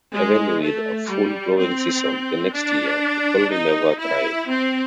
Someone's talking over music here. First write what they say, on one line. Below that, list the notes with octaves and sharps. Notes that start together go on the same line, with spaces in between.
Even with a full growing season the next year, the colony never thrived.
G#3
A3
G3
C4
D4
D#4
E4
C4